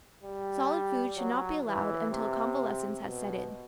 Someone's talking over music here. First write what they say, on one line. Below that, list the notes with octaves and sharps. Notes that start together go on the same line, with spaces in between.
Solid food should not be allowed until convalescence has set in.
G3
F#3
E3
C3
B2